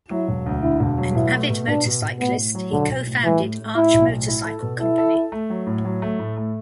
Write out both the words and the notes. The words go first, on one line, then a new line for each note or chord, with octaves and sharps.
An avid motorcyclist, he co-founded Arch Motorcycle Company.
F#3 E4
E1
D2
D3 E4
E1
F#3
B2 E4
A3
B2
B2 D4
B2
B2
A2 B3
A2
F#3
B1 D3
B1
A2
E3 A3
A2
A2
A2 E4
B1
A2
E4
A4
B2
E4 A4
A4
A4
A3
F#3
A2
F#3
A3
A2
A3